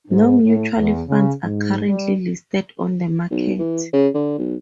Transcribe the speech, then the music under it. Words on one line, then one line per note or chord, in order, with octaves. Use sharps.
No mutual funds are currently listed on the market.
G#2
A2
E2
C#3
G#2
G3
B1
E3
C#3
D3
B1